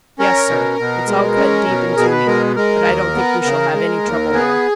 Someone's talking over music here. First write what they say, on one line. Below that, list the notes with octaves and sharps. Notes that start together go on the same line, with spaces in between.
"Yes, sir; it's all cut deep into me, but I don't think we shall have any trouble there."
C#4 A#4
B2
B2
G#3
C#4
B2
B2 G#4
B4
G#3 A#4
G#3 A#4
D#2
B3
C#3
G#3
D#2
B3 G#4